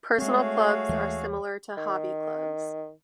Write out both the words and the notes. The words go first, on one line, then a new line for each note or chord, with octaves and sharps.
Personal Clubs are similar to Hobby Clubs.
G#3 A3 C4 F#4 G#4 C#5 F5
D#2 E3 G#3
D#3